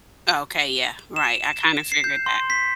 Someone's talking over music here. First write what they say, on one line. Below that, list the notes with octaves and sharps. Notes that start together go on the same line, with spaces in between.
Okay, yeah, right, I kinda figured that.
E7
C7
G6
C6
B6